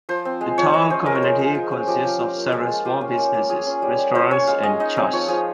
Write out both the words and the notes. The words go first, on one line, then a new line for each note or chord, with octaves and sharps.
The town community consists of several small businesses, restaurants and churches.
F3 C5
C4
G#3
F3 C#5
F4 D#5
C#4 C5
G#3 A#4
C#5
G#3 C5
G#3
F4
C#4
F3 G4
F3
F4
A#3
G#3 F4
G#3
F4 G4
C#4
A#3
A#3
F4 G#4
C#4
G3
G3
F4 C5
C#4 C#5
G#3 F5
G#3 D#5
D#4 D#5
C4
F3 C#5
F3 G#4